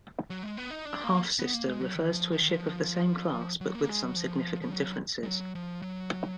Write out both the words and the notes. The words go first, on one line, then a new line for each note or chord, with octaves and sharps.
"Half-sister" refers to a ship of the same class but with some significant differences.
F#3
G#3
B3
D#4
D4
A#3
B3
A#3
G#3
F#3
D#3
F3
F3
D#3
F3
F#3
A#3
G#3
F#3
F3
F3
F#3
G#3
F#3
F3
F#3